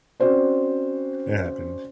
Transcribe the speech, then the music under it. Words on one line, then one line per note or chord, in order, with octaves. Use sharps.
it happened.
C4 C#4 F#4 C5 D5